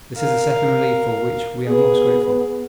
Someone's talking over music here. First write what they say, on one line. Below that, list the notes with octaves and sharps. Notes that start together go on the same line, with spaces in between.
This is a second relief for which we are most grateful.
A#4 F5
B3 G#4